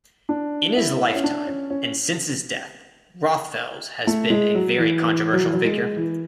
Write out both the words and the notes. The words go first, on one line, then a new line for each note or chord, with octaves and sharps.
In his lifetime and since his death, Rothfels has been a very controversial figure.
D4
E4
C#4
D4
C#4
C#4
A3
G#3
F#3
E3
E3
F#3
E3
F#3
G#3
E3